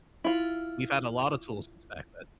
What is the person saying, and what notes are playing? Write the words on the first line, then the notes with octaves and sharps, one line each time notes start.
we've had a lot of tools since back then."
E4 F4